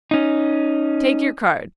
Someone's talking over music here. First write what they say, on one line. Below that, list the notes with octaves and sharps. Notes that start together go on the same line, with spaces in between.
Take your cards.
C#4 D#4